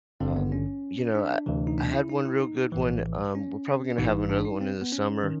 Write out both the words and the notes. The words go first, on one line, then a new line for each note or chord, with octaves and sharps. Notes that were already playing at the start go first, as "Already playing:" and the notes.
um, you know, I I had one real good one, um, we're probably gonna have another one in the summer.
G#1 G2 D3 C4
B3
C#4
D4
D2 C3 E3
D#4
D4
E4
D#4
E4
D#4
A#1 A2 E3
C#4
A1 G#2 E3 D#4
D4
D#4
C4
B3
C#4
D#3